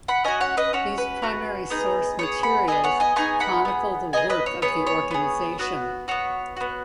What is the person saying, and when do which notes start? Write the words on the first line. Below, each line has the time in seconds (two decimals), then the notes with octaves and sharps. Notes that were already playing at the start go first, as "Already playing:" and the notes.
These primary source materials chronicle the work of the organization.
0.08 F#5 B5
0.24 C#4 F#4 D#5 G#5
0.41 C#5 F#5
0.57 B4 D#5
0.73 C#4 F#4 C#5
0.98 B4
1.22 C#4 F#4
1.70 B3 D#4 G#4
2.19 B3 D#4 G#4 C#5
2.43 F#5 B5
2.68 B3 D#4 G#4 D#5 G#5
2.84 C#5 F#5
3.00 D#5 G#5
3.16 B3 D#4 G#4 G#5 C#6
3.40 F#5 B5
3.65 B3 G#4
4.13 B3 G#4 D#5 G#5
4.30 B4 D#5
4.46 C#5
4.62 B3 G#4 C#5
4.87 C#5
5.11 B3 G#4
5.59 B3 F#4
6.08 B3 F#4 C#5
6.57 B3 F#4